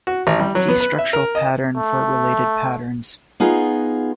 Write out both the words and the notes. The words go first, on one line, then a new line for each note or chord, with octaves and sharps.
See Structural pattern for related patterns.
F#4
A1
G3
F#3
B3
B4
E5
A#4
D#5
A3
B3 D#4 F4 G#4